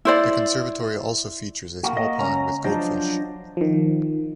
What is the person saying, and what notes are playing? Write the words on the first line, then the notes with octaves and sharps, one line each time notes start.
The conservatory also features a small pond with goldfish.
E4 C5 D5
A#3 F#4
D#5
C#2 C#4 A#5
F3 F#3 D4 C5 D#5
D#3 F3